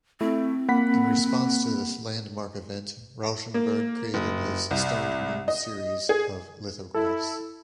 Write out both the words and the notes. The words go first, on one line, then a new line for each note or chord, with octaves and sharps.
In response to this landmark event, Rauschenberg created his "Stoned Moon Series" of lithographs.
A3 C4 E4
A#3 F#5 B5 B6
A#3
F#1
C2
D#5
G#4
E4 A4